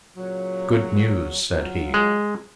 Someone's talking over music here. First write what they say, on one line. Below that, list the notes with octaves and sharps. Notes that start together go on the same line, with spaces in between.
"Good news," said he.
A#2 C#3 F#3
F#3 F4
G#3